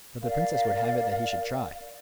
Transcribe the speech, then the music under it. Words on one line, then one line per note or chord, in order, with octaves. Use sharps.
But the princess would have it that he should try.
A#4 D5 F5